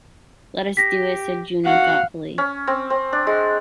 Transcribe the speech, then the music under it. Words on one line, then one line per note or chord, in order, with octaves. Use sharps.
"Let us do it," said Juno thoughtfully.
G4 A#6 B6
F#4 F5 F#5
C#4
C4
C4
D4
G#3